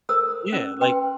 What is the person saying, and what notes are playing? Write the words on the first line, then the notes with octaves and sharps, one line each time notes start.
Yeah, like
A4 A#4 C5 A#5 D#6 E6
C#4
B4 G5 C6